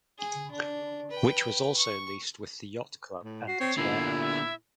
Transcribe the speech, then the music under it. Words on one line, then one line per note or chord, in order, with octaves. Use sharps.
Which was also leased with the yacht club and its warehouse.
G#4
D4
B4 G5
C#6
A2
F#4 C7
C4 C#5
A#2 D3 B3 E4
E5